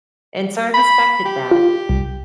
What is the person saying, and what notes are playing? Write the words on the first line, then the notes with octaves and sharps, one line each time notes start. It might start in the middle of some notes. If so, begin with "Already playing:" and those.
and so I respected that,
B5
G4
F4
C2